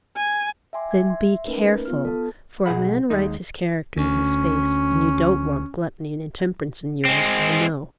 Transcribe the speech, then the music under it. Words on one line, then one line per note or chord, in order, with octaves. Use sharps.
'Then be careful; for a man writes his character in his face; and you don't want gluttony and intemperance in yours, I know.'
G#5
E5 G5 G#5 C6 D6
G#6
E5 C6
A3 A#3 C#4 D#4 A#4 B4
B3 F4 F6
A4 A5
B1 A3 G#4 F#5 B5
D#2 G#3 D#4
D2 C#4
G#3 C4